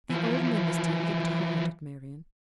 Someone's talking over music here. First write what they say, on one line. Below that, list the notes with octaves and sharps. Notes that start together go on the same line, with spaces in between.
The old minister looked hard at Marian.
E3 F3